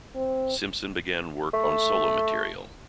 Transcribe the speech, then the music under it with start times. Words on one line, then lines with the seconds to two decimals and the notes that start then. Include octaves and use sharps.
Simpson began work on solo material.
0.15 C4
1.53 A3